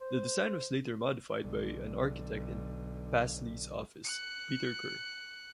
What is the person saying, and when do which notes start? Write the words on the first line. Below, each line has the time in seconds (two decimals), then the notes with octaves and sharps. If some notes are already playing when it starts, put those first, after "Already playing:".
The design was later modified by an architect in Pasley's office, Peter Kerr.
0.01 C5
1.40 B1 D3
4.04 F#6 C#7